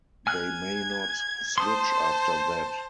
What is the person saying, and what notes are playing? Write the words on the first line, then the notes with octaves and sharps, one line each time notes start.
They may not switch after that.
G#5 F6 F#6 G#6
C5 A5 C6 D#6